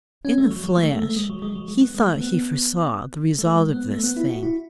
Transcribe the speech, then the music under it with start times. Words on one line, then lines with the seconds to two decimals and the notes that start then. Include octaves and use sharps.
In a flash, he thought he foresaw the result of this thing.
0.25 C#4
0.38 A3
0.51 F#3
0.64 F#3
0.77 A3
0.90 A3
1.03 A3
1.16 G#3
1.30 F#3
1.42 G#3
1.55 F#3
1.68 G#3
1.81 B3
1.95 G#3
2.07 A3
2.21 B3
2.34 B3
3.39 A3
3.56 G#3
3.73 B3
3.91 A3
4.04 B3
4.17 E4
4.30 F#4
4.43 E4